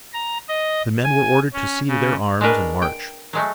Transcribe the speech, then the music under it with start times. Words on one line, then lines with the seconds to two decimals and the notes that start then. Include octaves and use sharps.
The men were ordered to see to their arms and march.
0.13 A#5
0.49 D#5
1.04 G#5
1.53 C#4
1.88 C#3
2.41 G#3 D4 F#4 A#4 B4
2.82 G5
3.33 F#3 G#3 A3